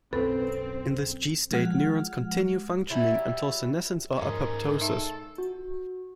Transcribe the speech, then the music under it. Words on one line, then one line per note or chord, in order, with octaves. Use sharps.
In this G state, neurons continue functioning until senescence or apoptosis.
B1 F#2 C4 A4 B4
F3 G#3 F#5 F6
F#3 G3 C#4 E4
G#2 G#3 C#4 D#4 A#4
D#4 A4 E5
F#4